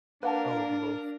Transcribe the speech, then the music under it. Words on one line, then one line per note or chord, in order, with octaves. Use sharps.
Oh, hello.
A#3 D4 A#4 B4 F#5 A5